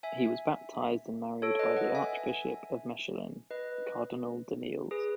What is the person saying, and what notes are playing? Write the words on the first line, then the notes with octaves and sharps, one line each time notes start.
He was baptised and married by the Archbishop of Mechelen, Cardinal Danneels.
E5 G#5
A4 C#5
B4 D#5
D#5 F#5
E5 G#5
B4 D#5
G#4 B4